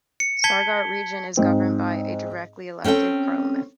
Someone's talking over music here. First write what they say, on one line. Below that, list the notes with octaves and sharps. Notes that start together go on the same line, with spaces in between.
Stuttgart Region is governed by a directly elected parliament.
C#7
A5 G#6 B6 C#7 G7
G#2 C4
C4 C#4 A4 F#5 G5